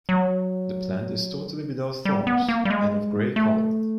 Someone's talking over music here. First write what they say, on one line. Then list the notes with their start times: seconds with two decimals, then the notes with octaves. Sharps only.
The plant is totally without thorns and of gray color.
0.09 F#3
2.05 G3
2.27 B3
2.49 A#3
2.65 G3
2.70 G#3
3.36 A3